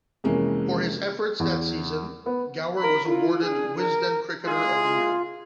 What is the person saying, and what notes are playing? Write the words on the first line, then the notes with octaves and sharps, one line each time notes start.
For his efforts that season, Gower was awarded Wisden Cricketer of the Year.
F2 C3 E3 G#3 A#3 C#4
E2
B3
A#4 B5
E4 F4
D4 G#4
A#4
G#3 E4 F4 G#4